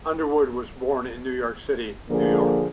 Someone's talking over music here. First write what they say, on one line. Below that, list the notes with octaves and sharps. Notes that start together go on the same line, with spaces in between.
Underwood was born in New York City, New York.
D3 F3 A#3 G#4